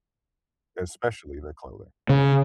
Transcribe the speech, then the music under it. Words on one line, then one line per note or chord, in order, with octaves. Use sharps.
especially the clothing.
C#3